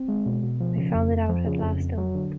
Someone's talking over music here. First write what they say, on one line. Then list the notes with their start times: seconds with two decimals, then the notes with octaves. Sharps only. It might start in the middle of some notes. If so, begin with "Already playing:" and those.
I found it out at last though.
Already playing: C4
0.08 G#3
0.26 B2
0.43 B2
0.60 F3
0.77 C#3
0.94 F2
1.11 F2
1.29 F3
1.46 C#3
1.63 F2
1.80 F2
1.98 F#3
2.15 D3